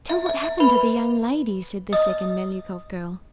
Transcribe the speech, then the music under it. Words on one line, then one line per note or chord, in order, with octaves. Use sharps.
"Tell what happened to the young lady!" said the second Melyukov girl.
E5
E5
E5
B4 B5
D#5 D#6